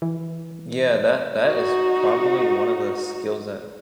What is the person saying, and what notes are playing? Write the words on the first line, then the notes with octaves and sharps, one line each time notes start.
Yeah, that that is probably one of the skills that
E3
D#4 F#4